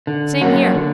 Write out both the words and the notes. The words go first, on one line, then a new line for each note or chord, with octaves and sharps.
Same here.
D3
F#3 A#3 C#4 F#4
D3